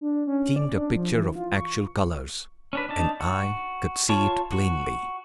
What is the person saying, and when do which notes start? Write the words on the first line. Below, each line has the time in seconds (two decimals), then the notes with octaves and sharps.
It seemed a picture of actual colors, and I could see it plainly.
0.01 D4
0.27 C#4
0.56 D5
0.77 D4
0.96 F3
1.13 E3
1.35 F4
1.54 C#6
2.73 C#4 D4 B4
2.89 D4 D#4 A5
3.20 F#4
4.09 F4 C#5 A5 C#6
4.52 F#4